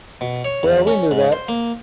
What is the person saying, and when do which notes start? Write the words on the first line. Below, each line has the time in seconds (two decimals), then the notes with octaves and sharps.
Well, we knew that.
0.21 B2
0.45 C#5
0.63 E2
0.87 C#4
1.11 G#2
1.32 C5
1.48 A#3